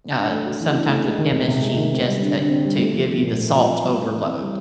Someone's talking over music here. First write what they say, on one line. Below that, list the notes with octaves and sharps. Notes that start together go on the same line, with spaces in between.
uh, sometimes with MSG just, uh, to give you the salt overload.
D4
A3
F#4
E3
D4
A3
G#3
D#3
C3
C3
G#3
D#3
C4
G3
D3
D3
C4
G3
A3
F3
C4
A#2
A3
F3
C4
G3
E4
E3
C4
G3